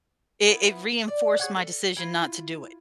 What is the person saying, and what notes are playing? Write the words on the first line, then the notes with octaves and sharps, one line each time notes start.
it it reinforced my decision not to do it.
B3 E4
D5
G#4 C#5 F#5
A4
E4 F4